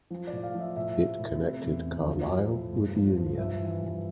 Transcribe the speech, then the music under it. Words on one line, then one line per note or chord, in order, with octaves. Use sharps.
It connected Carlisle with Union.
F3
D5
A2
F5
F3
E5
A2 E5
A2
A2
C3
E2
C3
F3
F3
A2
G2
F3
F3
G2 E5
E3
G2